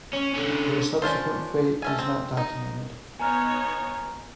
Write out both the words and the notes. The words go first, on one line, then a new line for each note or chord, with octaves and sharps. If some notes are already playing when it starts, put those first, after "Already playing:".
Her subsequent fate is not documented.
C#4
D3 C#4
C#4 D4 F4 C5
A3 C#4 G#5
C4
D#4
B3 D#4 C#5 G#5 A#5 F6